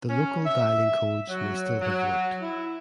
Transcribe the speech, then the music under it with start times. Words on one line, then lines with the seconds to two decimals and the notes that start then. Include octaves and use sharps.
The local dialling codes may still have worked.
0.09 C#4
0.45 E5
1.29 F#3
1.81 F#3
2.40 E4